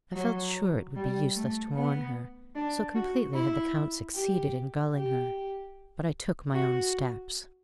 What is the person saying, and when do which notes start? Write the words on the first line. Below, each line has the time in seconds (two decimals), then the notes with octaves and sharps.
I felt sure it would be useless to warn her, so completely had the Count succeeded in gulling her; but I took my own steps.
0.15 F#3
0.96 G3
1.36 A3
1.75 B3
2.55 D4
2.95 F#4
3.34 E4
4.15 G4
4.94 G4
6.54 F#4